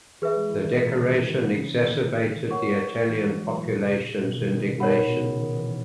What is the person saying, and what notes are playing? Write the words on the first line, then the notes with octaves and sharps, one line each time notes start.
The decoration exacerbated the Italian population's indignation.
E3 G#4 B4 E5
G#3
E3
D#3
A#2
C#3
D#3
E3
E3
C#3
D#3
A#4 C#5 F#5 C#6
E3
G#3
F#3
E3
A#2
C#3
B2
D#3
D#3
C#3
B2 D#4 A#4 C#5 F#5 B5
A#2
B2
C#3
D#3
E3